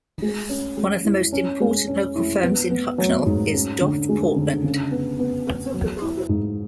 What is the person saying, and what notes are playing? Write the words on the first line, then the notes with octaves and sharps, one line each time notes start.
One of the most important local firms in Hucknall is Doff Portland.
G#3
C#4
G#3
E4
C#4
G#3
C#4
E4
B3
B3
F#3
G#2
C#4
D3
G#3
D3
C#3
B3
B3
B3
F#3
E4
G#2